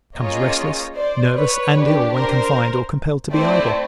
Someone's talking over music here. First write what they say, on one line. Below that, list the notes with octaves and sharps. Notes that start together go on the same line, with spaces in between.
He becomes restless, nervous and ill when confined or compelled to be idle.
A#3 C#4 F4 G#4 C#5 D#5
C5 D5
B4 C#5
D4 G4
A#4 C5
A3 C4 E4 C5 D5